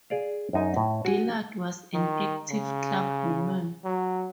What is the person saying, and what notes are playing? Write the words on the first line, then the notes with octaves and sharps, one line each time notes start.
Dillard was an active clubwoman.
G#4 D5 F5
F#2 D#4 G#5
A2
F#4 G#5
D#3
C#3
F#3